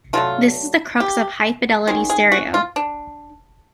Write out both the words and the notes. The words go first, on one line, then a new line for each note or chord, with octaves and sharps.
This is the crux of high-fidelity stereo.
D3 F#3 A3 F4
G4
D#3 G#3 C#4 G#4
G#4
F#4
F4
D4